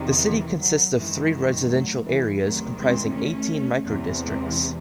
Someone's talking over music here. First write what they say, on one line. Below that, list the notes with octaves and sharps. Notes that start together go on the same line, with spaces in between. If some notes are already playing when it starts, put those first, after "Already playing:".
The city consists of three residential areas comprising eighteen microdistricts.
Already playing: E2 C3 D#3
E3
F#3
F#2 D#3 E3 G#3
F#3 A3
E3 G#3
E2 C3 D#3 F#3 A3
G#3 C4
A3 C#4
E2 C3 E3
G#3 C4